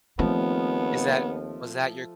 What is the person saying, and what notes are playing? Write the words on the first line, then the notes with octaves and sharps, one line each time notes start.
Is that was that your
D#2 F3 A3 B3 C4